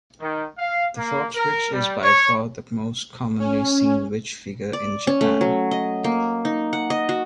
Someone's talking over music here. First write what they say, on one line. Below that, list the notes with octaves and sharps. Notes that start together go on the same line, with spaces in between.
The fox witch is by far the most commonly seen witch figure in Japan.
D#3
F5
A#3
A#4
G3
C#5
C#4
D5
C#4
A3
F#3
D#5
A#3
D#4
F#5
D#5
F#4